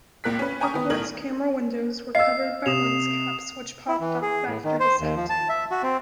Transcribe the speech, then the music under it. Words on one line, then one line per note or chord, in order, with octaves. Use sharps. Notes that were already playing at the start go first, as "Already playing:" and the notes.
The quartz camera windows were covered by lens caps which popped off after descent.
C#2 A#2 A#4 F#6 B6
C#4 B4
G5 G#5 A#5 C#6 D#6
D#3 B3
B1 A2 A#4 G#6 F#7
D#5 F5 E6 C7
C3 D#6 E7 F7
E4
E3
G#4
A2
D#3
C5
D#2
F3
A5
E5
F#4
C4